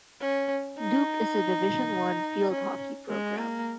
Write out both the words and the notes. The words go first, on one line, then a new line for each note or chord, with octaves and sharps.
Duke is a Division One field hockey program.
C#4
D#4
C#4
G#3
A#3